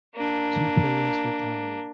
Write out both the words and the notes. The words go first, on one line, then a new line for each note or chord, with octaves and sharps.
Two players retired.
A#3 D4